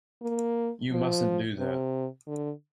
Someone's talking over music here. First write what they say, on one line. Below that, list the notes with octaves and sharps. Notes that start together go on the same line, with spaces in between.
You mustn’t do that.
A#3
F3
C3
D3